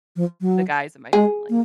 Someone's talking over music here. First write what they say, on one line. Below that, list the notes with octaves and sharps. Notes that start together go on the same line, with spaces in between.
the guys in my family.
F3
F#3
G#3 G#4
A#3